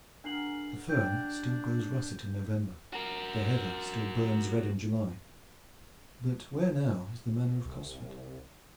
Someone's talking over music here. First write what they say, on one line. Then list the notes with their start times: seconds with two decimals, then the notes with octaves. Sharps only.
The fern still glows russet in November, the heather still burns red in July; but where now is the Manor of Cosford?
0.24 D4 G#4 A#4 F#5 C7 F#7
0.89 D4 G4 G6 D7
2.93 F#4 A#4
7.65 C2